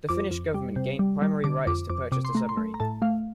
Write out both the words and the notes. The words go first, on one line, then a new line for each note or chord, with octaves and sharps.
The Finnish Government gained primary rights to purchase the submarine.
F2 D6
F2
G3
C3
G3
G3
D3 D6
F2 D6
F2 D6
C3 D6
C6
A3 A#5
C6
A3
A#5
A2 A5
A3 F5